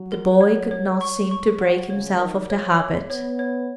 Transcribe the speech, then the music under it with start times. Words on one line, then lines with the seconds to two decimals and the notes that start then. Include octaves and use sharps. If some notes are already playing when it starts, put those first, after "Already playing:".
The boy could not seem to break himself of the habit.
Already playing: F#3
0.12 A#4
0.41 C#5
0.71 C#5
1.01 C#6
1.31 C#6
1.61 F3 F#5
1.90 C#3 C#5
2.19 D#3 A#4
2.50 F3 C#5
2.79 C#5
3.10 B3 C#5
3.39 C#5